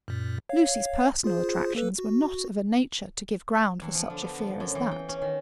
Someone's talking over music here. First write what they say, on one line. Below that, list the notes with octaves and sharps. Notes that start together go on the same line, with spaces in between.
Lucy's personal attractions were not of a nature to give ground for such a fear as that.
F#2 A#2
C#5 F5
F4 G#4 C5
A#3 A4 B4
F#4
E2
F3
D3
B3
F3
F#2
E3
G5
C#4
D#3